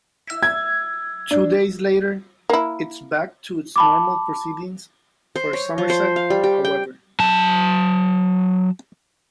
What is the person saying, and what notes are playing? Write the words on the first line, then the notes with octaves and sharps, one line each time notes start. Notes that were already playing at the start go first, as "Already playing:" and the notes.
Two days later, it was back to normal proceedings for Somerset, however.
G#6
D4
A#3 E4
A5 B5 D6
C5
C#5
F3
C5
F5
G3
G4
G5
F#3 A5